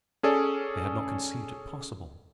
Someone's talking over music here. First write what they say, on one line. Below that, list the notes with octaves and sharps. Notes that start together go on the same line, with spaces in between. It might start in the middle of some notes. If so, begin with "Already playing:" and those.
They had not conceived it possible.
C#4 G#4 A4 D5